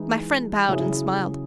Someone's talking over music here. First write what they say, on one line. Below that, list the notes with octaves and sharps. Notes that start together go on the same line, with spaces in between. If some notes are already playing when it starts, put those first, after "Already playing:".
My friend bowed and smiled.
Already playing: E3 G#3 D#4
C#3 F#3 C#4 E4 G#4